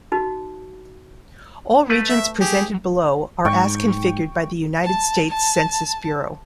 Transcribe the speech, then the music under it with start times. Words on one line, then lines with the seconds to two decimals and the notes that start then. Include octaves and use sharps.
All regions presented below are as configured by the United States Census Bureau.
0.12 D#4 F#4
1.89 A3 B4
2.09 E5
2.41 G4 G#4
3.45 G#2 G5 C#6
4.83 A5
5.29 A5